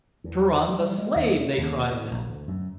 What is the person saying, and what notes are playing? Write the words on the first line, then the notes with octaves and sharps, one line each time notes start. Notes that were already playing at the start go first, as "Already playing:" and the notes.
"Turan the slave," they cried then.
E2
G3
G#3
D#2
C#4
D#2
A2
A#1
D2
F#2